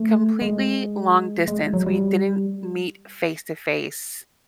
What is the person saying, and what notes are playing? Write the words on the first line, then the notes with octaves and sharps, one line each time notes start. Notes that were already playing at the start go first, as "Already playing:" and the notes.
completely long distance. We didn't meet face to face,
Already playing: A3
G#3
G#3
F#3
G3